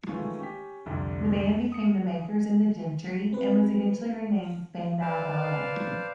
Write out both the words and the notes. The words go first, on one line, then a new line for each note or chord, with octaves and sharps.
The band became the Makers and the Gentry, and was eventually renamed Spandau Ballet.
D#3 E3 G#3 A3 C#4 F4
C#4 G4 B6
C2 F2 D3 G3
D#6 C#7
C4 B4
B4 C5 D5 F5 A5